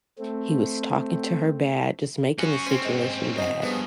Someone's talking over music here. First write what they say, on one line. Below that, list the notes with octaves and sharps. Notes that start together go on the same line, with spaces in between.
He was talking to her bad, just making the situation bad
A3 C4
C#4 F#4
C4 C#4 C5 G#5
G#2
D#4 G#5
G2 F3 B3 G#4